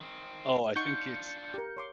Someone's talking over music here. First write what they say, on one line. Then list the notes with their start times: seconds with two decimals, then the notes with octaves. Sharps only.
Oh, I think it's
0.01 D#3 C4
0.76 D4 D#4 F4 F#5 C#6 G6 C#7
1.54 G4 A#4
1.77 C#5 C6 D6